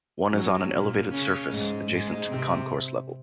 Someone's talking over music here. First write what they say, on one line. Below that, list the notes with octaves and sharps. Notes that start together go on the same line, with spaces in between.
One is on an elevated surface, adjacent to the concourse level.
F#2 F#3
A#2 A#3
C#3 C#4
G#2 G#3
G#2 G#3
C3 C4